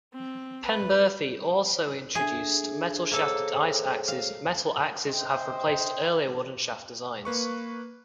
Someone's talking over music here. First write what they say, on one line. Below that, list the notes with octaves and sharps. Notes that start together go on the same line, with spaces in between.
Penberthy also introduced metal-shafted ice axes; metal axes have replaced earlier wooden-shaft designs.
C4
B4
D4 G#4 A4 E5
A#3 G#4 A4 C5 C#5
F5
C5 D#5 E5 G5
A#3 B4 C#6